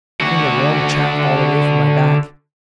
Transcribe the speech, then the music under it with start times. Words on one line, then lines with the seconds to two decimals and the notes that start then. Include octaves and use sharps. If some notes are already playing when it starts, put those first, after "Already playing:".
"Getting the warm chaff all away from my back!"
0.21 D3 F#4